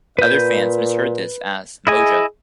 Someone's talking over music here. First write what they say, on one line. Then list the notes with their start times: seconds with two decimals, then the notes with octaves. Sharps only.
Other fans misheard this as "Mojo".
0.19 A#2 B4 G6
1.87 E4 G#4 D#5 G#5